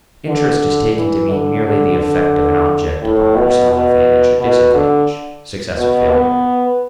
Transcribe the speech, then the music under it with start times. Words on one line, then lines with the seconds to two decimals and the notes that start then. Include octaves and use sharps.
Interest is taken to mean merely the effect of an object upon personal advantage or disadvantage, success or failure.
0.27 D3
0.96 E3
1.30 D3
1.65 D3
1.99 D3
3.02 A2
3.37 B2
3.71 B2
4.40 B2
4.74 D3
5.77 B2
6.12 B3